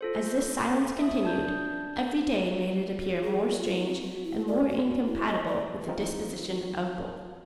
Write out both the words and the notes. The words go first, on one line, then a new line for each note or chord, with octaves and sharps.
As this silence continued, every day made it appear more strange and more incompatible with the disposition of both.
F4 A4 C5
E5 D#6
D4 A5 G6
F#4
G#4
F4
E4
C4
F#4
E4
D5
F#4
E4
D#5
D5
E3 C4 D#4 F4